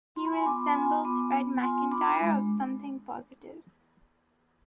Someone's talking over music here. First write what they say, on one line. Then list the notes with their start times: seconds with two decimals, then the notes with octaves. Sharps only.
He resembles Fred MacIntire of "Something Positive".
0.16 F4 C6
0.25 B5
0.32 G#5 C6
0.46 B3 B5 D6
0.68 B5
0.75 F4 G#5 C6
1.04 B3 B5 D6
1.34 B3
1.62 F4 G#5 C6
1.92 D4 B5 D6
2.21 G#3